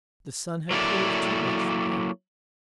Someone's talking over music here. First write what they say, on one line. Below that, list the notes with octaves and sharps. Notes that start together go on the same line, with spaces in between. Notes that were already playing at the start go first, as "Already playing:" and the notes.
The sun had proved too much for him.
F#3 A#3 E4 A4 D5